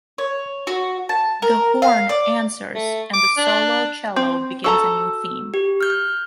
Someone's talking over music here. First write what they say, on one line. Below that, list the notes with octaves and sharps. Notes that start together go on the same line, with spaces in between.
The horn answers and the solo cello begins a new theme.
C#5
F#4
A5
A#4
F5
D5
A3
D6
D4
C4
F#4 A4 A#5 E6
G4
F6 G6